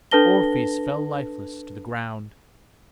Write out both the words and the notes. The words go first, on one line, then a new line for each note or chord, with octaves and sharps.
Orpheus fell lifeless to the ground.
D4 A4 B4 A5 A#6 G7